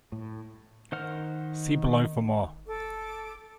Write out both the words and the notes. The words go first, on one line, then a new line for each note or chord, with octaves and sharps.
See below for more.
A2
D#3 C5 F#5 F6
A4 A5 D6